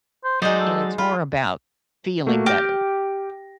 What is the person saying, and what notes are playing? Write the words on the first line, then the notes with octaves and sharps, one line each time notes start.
And it's more about feeling better.
C5
F#3 G#3 D#4 C5 D5 D#5
A4
F4 B5
A3 A#3 F#4
G4 F6 A#6